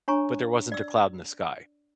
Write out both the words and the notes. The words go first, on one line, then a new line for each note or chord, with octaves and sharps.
but there wasn't a cloud in the sky
D4 C#5 G#5 A#5 C#6
D5 E6